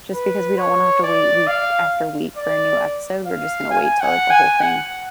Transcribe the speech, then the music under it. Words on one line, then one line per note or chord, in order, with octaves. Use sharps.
just because we don't wanna have to wait week after week for a new episode, we're just going to wait till the whole thing
B4
C#5
D5
F5
D5
F5
G#5
F#5
G#5
F#5